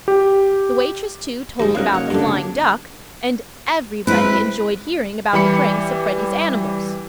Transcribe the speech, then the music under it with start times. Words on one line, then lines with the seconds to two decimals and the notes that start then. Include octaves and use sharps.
The waitress, too, told about the flying duck, and everybody enjoyed hearing about the pranks of Freddie's animals.
0.08 G4
1.60 D#2 G#2 F3 D#4
1.75 B1 C#3 F#3 A#3 D#5 F5 F#6
1.94 C#5
2.10 G2 D3 D4
4.07 G#3 C4 E4 B4
5.33 E3 G3 B5 C#7